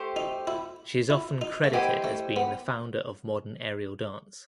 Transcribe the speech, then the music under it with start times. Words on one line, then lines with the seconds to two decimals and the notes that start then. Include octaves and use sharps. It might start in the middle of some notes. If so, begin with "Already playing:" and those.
She is often credited as being the founder of modern aerial dance.
Already playing: A3 G4 C5
0.16 D#4
0.47 E4
1.10 E4
1.41 D#4
1.64 A3
1.73 B3 E4 G4 C5 D#5
2.04 A3
2.36 B3